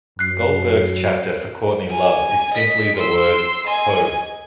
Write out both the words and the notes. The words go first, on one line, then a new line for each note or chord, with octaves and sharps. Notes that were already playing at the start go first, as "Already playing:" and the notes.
Goldberg's chapter for Courtney Love is simply the word "ho".
F#2 F#6 C7
G#5
D#5 B6
C6 E6
D#5 G#5